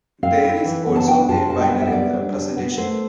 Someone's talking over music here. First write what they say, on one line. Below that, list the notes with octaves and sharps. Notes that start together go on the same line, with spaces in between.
There is also a binary representation.
C4 F5
E4
E3
B3
A5
D4 G5
F4 A5
G3 A5
G5
B3
E5
G3 D5
D4
G3
B3
A3 C5